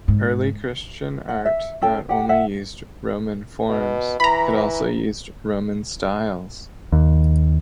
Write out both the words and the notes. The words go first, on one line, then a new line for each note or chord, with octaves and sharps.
Early Christian art not only used Roman forms, it also used Roman styles.
G#2
F#5
E5
C#4 A4 G5
G4 F#5
E5 F#5
B2
E3 A#5 B5
D#2